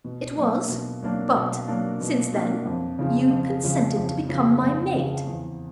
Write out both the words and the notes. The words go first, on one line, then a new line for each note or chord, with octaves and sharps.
"It was; but, since then, you consented to become my maid."
B2
F#3 A#3 D4
B2
F#3 A#3 D4
B2
F#3 A#3 D4
B2
F#3 A#3 D4
F2
C#3 F3
F2
C#3 F3
F2
C#3 F3
F2
C#3 F3
E2